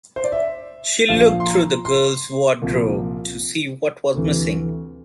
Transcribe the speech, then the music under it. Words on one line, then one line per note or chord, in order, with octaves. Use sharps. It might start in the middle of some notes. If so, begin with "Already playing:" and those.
She looked through the girl's wardrobe to see what was missing.
C5
D5
E5
A#1 A#2 F3 F5
C6
A#5
C6
C2 A#2 F3
D2 C3 E3